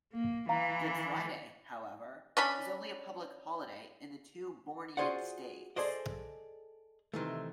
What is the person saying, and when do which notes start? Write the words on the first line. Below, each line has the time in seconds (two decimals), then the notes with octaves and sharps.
Good Friday, however, is only a public holiday in the two Bornean states.
0.13 A#3
0.49 E3 F5 A#5
2.37 C#4 D4 B5
4.97 F4 F#4 G#4 C5 D5 F#5
5.76 G#4 A4 C5 D5 D#5
7.14 C3 D#3 E3 A3